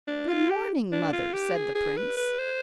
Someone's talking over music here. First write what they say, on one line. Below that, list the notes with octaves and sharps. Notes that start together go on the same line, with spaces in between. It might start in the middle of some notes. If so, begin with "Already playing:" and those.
'Good-morning, mother,' said the prince.
D4
F4
G4
D4
F4
G4
G#4
G#4
B4
B4
C5